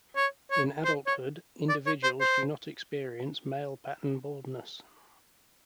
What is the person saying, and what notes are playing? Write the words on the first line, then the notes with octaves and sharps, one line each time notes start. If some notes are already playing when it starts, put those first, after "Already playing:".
In adulthood, individuals do not experience male-pattern baldness.
C#5
C#5
C5
C#5
D5
C#5
C5
C5